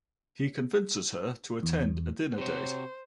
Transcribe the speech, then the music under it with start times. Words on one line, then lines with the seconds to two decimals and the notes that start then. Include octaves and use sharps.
He convinces her to attend a dinner date.
1.63 E2
2.38 C3 F#4 C5 C#5